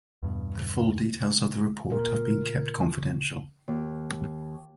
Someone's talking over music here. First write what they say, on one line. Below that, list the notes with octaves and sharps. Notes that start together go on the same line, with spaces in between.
The full details of the report have been kept confidential.
E2 G2 B2
A#2 A#4
D#2